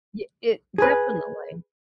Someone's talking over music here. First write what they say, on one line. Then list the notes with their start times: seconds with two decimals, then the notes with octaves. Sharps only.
Ye it definitely.
0.78 G#4 B4